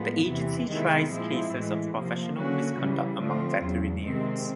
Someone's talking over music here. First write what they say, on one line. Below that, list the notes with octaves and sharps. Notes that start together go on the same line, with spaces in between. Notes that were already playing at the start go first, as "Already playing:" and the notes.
The agency tries cases of professional misconduct among veterinarians.
Already playing: A2 F3 G#3 B3
E2 C3 E3
C3 D#3 G#3 B3 E4
A#2 F3 G#3 C4 E4
A2 E3 G#3
C3 F3 A#3
D3 F#3 A#3 C#4 F#4
C#3 E3 G3
D3 F3 A3 C4 F4
E2 C#3 F#3
C3 D#3 G#3 C4